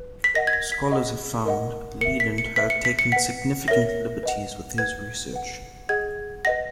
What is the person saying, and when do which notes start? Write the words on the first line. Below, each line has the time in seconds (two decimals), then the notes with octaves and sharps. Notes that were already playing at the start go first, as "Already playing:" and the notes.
Scholars have found Leland had taken significant liberties with his research.
Already playing: B4
0.24 B6
0.34 A#4 D#5 F#5 A#6
0.47 G#6
0.53 A#6
0.72 B6
0.91 G#4 D#5 F#5
1.46 A#4 D#5 F#5
2.01 A#4 E5 C#7
2.20 B6
2.38 C#7
2.56 B4 E5 B6
2.70 C#7
2.85 B6
2.99 C#7
3.12 B4 F#5 B6
3.68 A#4 C#5 E5 A#6
4.23 B4 D#5 F#5
4.78 B4 F#5 G#6
5.33 B4 F#5
5.89 G#4 D#5 F#5 G#6
6.45 B4 D#5 F#5 A#6